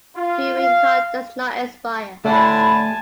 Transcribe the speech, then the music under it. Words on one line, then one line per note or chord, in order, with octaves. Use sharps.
Viewing card does not expire.
F4
F5
A2 D3 A3 G#5 A5 B5